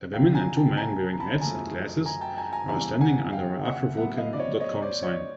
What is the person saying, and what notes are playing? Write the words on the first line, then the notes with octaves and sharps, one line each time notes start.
A woman and two men wearing hats and glassess are standing under a avrovulcan.com sign.
C2 C3 F3 F5 G5
G#5 A#5
G5 A5
G#5 A#5
A#5
A5 B5
F#2 C#3 F3 A3 G#5 A#5
G#5 A#5
G5 A5
G#5 A#5
G#5 A#5
E2 C#3 E3 G3 G#5 A#5
F#5 G#5
F5 G5
E5 F#5
A2 F#3 B3 E5 F#5
D#5 F5
D5
C#5 D#5
C#5 D#5
C5 D5
C#5 D#5